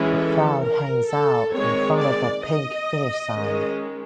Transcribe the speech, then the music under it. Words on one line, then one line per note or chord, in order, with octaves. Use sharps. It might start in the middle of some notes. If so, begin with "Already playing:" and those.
A crowd hangs out in front of a pink finish sine.
Already playing: E3 G#3 C#4
A4
A#4
A4
D#3 G#3 C4 C#5
D5
D#5
D#3 G#3 C#4